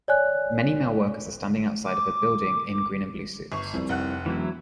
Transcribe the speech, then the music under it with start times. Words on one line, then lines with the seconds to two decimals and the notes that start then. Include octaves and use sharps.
Many male workers are standing outside of a building in green and blue suits.
0.08 C#5 D5 G#5 F#6
1.85 D6
3.52 G1 C#6
3.74 C2 F2
3.89 F1 F#5 F#6
4.26 E1 E3 F#3 E4